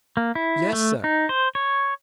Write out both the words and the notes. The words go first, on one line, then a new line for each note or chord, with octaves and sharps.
"Yes, sir."
A#3
E4
A3
D#4
C5
C#5